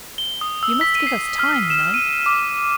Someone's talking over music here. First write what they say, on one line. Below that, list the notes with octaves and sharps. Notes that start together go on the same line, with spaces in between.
You must give us time, you know.
G7
D#6
E6
B6
D#7
C7
F6
E7
D#7
D6